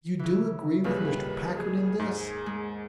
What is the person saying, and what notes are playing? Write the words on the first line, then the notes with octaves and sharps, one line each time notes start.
"You do agree with Mr. Packard in this?"
C#3 E3
D#2 A#2 C#3 G3 B4
G#4
G#2
G#3